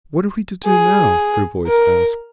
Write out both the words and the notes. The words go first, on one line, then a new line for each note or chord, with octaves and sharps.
"What are we to do now?" her voice asked.
G#4
A#4